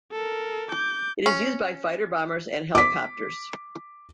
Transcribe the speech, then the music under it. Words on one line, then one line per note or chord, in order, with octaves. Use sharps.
It is used by fighter bombers and helicopters.
A4 A#4
D6 G6
C#4
D6 B6